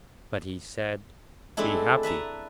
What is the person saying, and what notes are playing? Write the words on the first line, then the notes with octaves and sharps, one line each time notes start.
But he said: 'Be happy!
G#3 A3 C4 D4 E4
B4 E5 A5 A#5